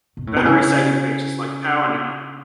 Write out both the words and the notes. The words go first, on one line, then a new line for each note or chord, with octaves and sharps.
Battery saving features, like PowerNow!
B2
A2
B2
C#3